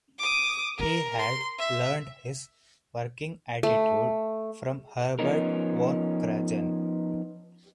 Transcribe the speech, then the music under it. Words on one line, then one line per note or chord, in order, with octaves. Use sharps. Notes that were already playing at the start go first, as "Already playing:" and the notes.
He had learned his working attitude from Herbert von Karajan.
D6 D#6
A#4
C6
E5
A3
F3 B3 C#4 D#4 A#4